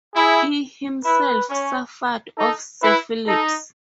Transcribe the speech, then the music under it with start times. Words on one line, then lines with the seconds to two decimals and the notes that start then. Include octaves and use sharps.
He himself suffered of syphilis.
0.15 E4 G#4
1.05 E4 B4
1.49 C#4
2.38 D#4 A4
2.83 E4 B4
3.27 D#4 A4